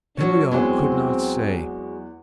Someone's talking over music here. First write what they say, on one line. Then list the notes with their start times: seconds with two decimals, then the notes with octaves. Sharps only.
Henriot could not say.
0.17 F#3 C#4 D4 C#5
0.51 E2 F#3 G#3 B3 C4